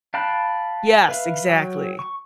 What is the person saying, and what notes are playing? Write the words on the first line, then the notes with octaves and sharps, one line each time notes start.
Yes, exactly.
F5 G5 A5 B5 F#6
B4 E5 F5
F#3 G5
C#6